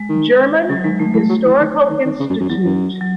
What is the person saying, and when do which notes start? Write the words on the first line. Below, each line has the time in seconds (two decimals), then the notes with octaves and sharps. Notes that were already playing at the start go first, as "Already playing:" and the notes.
German Historical Institute.
Already playing: G#3
0.09 D#3
0.69 C#3 F#3
0.84 D#3 G#3
1.00 D#3 A3
1.14 E3 A3
1.29 F#3
1.45 E3
1.60 D#3
1.90 D#3
2.05 D#3
2.20 C#3
2.30 F#2
2.40 F#2
2.49 E2 F#3
2.65 F#2
3.01 F#3